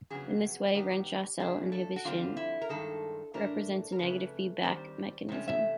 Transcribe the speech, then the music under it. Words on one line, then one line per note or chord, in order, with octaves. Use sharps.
In this way, Renshaw cell inhibition represents a negative feedback mechanism.
F2 C#3 F#3 B3 G#4
D#3 G3 B3 G4
C#3 F3 A3 D4 G#4
A4
F#4
F2 D3 G3 C4 F4
E4
A#4
G2 D#3 G#3 A4
A2 E3 A3 D4 A#4
A#4
F2 C#3 F3 A3 B4
D#3 G3 C4 C5
E2 C3 A3 C#4
E5